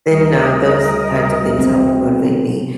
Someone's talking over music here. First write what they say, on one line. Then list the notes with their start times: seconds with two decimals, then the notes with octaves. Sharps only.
then, you know, those types of things help to motivate me.
0.11 D2 G3 A#4 D#5 D#6
1.59 C4